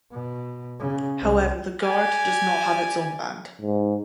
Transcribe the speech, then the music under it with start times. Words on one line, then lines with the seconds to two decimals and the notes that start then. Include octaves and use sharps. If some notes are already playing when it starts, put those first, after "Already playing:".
However, the Guard does not have its own band.
0.11 B2
0.79 C#3
1.21 C2
1.82 G4 D5 G#5
3.61 G#2